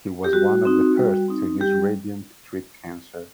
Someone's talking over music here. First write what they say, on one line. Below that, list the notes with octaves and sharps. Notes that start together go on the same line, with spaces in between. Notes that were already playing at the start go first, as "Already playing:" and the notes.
He was one of the first to use radium to treat cancer.
G4
G3 F#4
C4 D#4
G3
C4 D#4
G3 G4